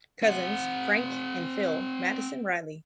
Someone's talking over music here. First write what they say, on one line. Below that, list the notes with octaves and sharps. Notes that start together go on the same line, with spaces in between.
Cousins, Frank, and Phil Madison Riley.
C4 F#5